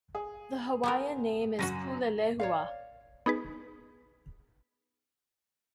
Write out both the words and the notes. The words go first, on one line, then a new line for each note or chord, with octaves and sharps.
The Hawaiian name is pulelehua.
G#4
B3 C4 A#4
F#2 C#3 C#4 F#4 A#6 D#7
C#5 D5 F5
B3 D#4 G#4 B4